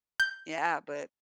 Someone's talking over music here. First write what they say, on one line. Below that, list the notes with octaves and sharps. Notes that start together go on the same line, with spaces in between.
Yeah, but
G6